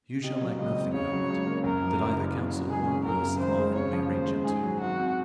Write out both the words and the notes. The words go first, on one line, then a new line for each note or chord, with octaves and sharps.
'You shall lack nothing, Herbert, that either counsel or purse of mine may reach unto.'
C3 D#5
F#3
C#2 D#5
C4
C#3 C#5
F#3
C#2
A#3
F#2 A#4
F3
F#1
F#1
C#3
F#3
C#2 G#4
C#4
F#2 A#4
C#3
G#1 C5
G#3
C#3 C#5
F3
D#2 C5
G#3
G#2 G#4
F#3
G#1 F#4
C4